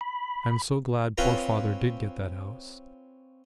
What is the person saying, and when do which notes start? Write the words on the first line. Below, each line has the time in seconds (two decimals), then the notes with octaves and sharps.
I am so glad poor father did get that house.
0.01 B5
1.18 C4 C#4 F4 B4 C5 A#5